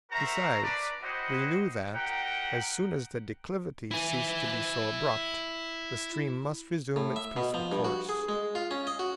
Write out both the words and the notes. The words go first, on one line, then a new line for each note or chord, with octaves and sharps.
Besides we knew that, as soon as the declivity ceased to be so abrupt, the stream must resume its peaceful course.
F#4 A#4 C5 E5 A#5
D4 B4 D5
E4 F#4 G4 C5 D#5 F#5
D#4 F#4 G4 A#4 F#5 G5
E4 G#5
A2
E5
B2
F3
G2
F#4
G#4
G#3
F4
C#4
D#5
F#4